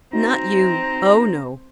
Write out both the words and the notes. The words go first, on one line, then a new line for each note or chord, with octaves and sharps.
"Not you--oh no!"
C4 D#4 F#4 E5 A#5